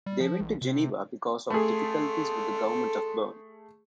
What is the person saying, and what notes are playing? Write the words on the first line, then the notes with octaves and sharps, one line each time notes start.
They went to Geneva because of difficulties with the government of Berne.
G3
F3
A1
C3
A3 G#4 A4 C6